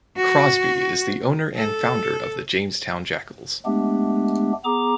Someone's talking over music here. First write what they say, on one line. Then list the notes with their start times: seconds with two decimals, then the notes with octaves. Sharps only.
Crosby is the owner and founder of the Jamestown Jackals.
0.17 F#4
1.56 A4
3.65 G#3 A3 B3 D4 G4
4.64 B3 G#4 A#5 D6